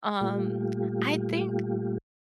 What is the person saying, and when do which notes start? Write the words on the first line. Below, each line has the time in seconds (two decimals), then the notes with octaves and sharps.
um, I think
0.21 A#2 G3 A3 F4 G4